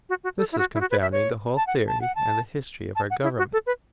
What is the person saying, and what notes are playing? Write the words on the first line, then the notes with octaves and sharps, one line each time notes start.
This is confounding the whole theory and the history of our Government.
F#4
F#4
A4
E4
F#4
E4
F#4
B4
E5
C#5
A5
F#5
A5
F#5
A5
A5
F#5
E4
F#4
A4
B4